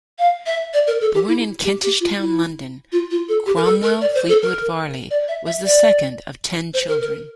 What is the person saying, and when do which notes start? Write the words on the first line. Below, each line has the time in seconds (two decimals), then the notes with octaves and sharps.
Born in Kentish Town, London, Cromwell Fleetwood Varley was the second of ten children.
0.19 F5
0.46 E5
0.73 D5
0.87 A#4
1.01 A4
1.14 G4
1.28 E4
1.64 G4
1.83 G4
2.00 F4
2.19 E4
2.92 F4
3.11 F4
3.29 A4
3.46 G4
3.56 A#4
3.64 A4
3.83 A#4
4.01 D5
4.15 C5
4.29 A4
4.42 A#4
5.10 D5
5.28 E5
5.46 E5
5.64 D5
6.74 C5
6.88 A#4
7.01 A#4